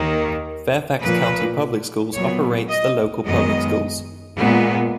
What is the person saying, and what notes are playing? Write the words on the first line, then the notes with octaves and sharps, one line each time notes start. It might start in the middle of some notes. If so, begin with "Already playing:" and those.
Fairfax County Public Schools operates the local public schools.
Already playing: D#2 D#3 A#3
A#2 F3 A#3 B4
A#2 F#3 B3 C#5
D#5
F#2 D#3 G#3 B3 D#5
A#2 G#3 B3